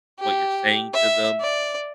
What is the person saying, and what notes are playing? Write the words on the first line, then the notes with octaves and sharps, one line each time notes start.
what you're saying to them.
G4
E5
D5